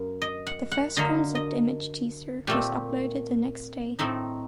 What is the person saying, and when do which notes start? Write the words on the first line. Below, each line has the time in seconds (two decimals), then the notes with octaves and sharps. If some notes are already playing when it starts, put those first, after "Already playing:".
The first concept image teaser was uploaded the next day.
Already playing: F#2 A#3
0.22 D#5
0.47 F#5
0.71 F#5
0.97 D3 F#3 A#3 D#5
1.35 D#5
2.47 A#2 A3 C4 G4
3.99 A2 A3 C4 D#4